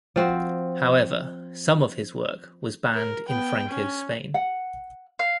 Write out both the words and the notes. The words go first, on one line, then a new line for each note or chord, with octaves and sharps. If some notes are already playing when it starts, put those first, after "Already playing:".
However, some of his work was banned in Franco's Spain.
F3 C4 F#4
A#4
B3 G5
C#4
F#5
F5